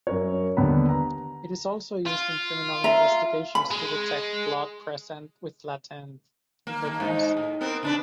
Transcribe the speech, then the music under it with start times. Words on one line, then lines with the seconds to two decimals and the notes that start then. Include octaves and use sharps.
It is also used in criminal investigations to detect blood present with latent fingerprints.
0.07 F#2 A#4 C#5
0.57 D#2 D3 B3 B5
0.89 A#5
2.06 F4
2.84 E5 A#5
3.55 B5
3.71 G#3
6.67 A#3
6.84 D#2 A#3
7.00 G#2 D#4
7.37 A2
7.61 B3 C4 A#4
7.83 C#3 D4 B4